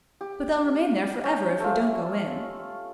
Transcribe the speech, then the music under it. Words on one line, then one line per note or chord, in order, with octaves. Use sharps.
But they'll remain there for ever if we don't go in.
G4
C#4 G5
A3 F4